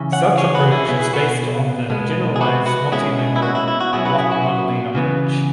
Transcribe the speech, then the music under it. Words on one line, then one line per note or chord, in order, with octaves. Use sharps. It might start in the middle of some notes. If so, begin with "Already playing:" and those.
Such approach is based on the generalized multilevel blockmodeling approach.
Already playing: C#3 E3 C#4
C#5 F#5
G#4 C#5
F#4 B4
E4 G#4
B2 B3 E4
E4 G#4
F#4 B4
B2 G#3 B3
G#4
F#4 B4
F#4 B4
B2 G#3 C#4 E4 G#4
E4
F#4
E4
E4
F#4
B2 F#3 C#4 E4 G#4
F#4 B4
E4 G#4
F#4
C#3 E3 B3